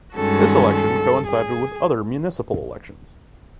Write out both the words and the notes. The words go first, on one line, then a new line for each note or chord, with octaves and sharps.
This election coincided with other municipal elections.
G2 D#3 G#3 C#4 F#4 A4
A4
G#4